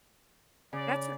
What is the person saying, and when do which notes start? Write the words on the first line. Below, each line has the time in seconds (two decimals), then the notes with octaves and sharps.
that's a
0.73 C#3 D5